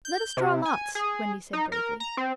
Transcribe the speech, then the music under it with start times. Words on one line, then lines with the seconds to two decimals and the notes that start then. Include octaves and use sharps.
"Let us draw lots," Wendy said bravely.
0.05 G6
0.37 C3
0.65 G#5
0.95 G#4
1.53 D#4
1.72 A#4
2.00 A#5
2.17 C4